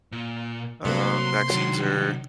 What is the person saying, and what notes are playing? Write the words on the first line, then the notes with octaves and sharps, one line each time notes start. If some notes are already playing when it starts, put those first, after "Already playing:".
uh, vaccines are
A#2
C3 F#3 A3 A#3 C4 C6
D#3 F#3 D4